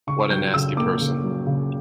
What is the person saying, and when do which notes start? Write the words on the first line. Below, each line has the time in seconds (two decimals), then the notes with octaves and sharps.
What a nasty person!
0.07 C#3 C#6
0.30 F#3 G6
0.54 C#3 E6
0.77 A#3 D6
1.00 C#3
1.24 F#3
1.47 C#3